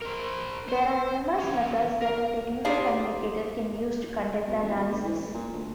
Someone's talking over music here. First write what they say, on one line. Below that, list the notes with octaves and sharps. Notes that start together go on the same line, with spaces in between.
There are numerous methods that a technical communicator can use to conduct the analysis.
A#4 C5
C5 C6
E2 C#4
A#4
D#4 G4 G#4 C5 D5 F5
B2
A1
B2
D2
E3
A1
A#2
D2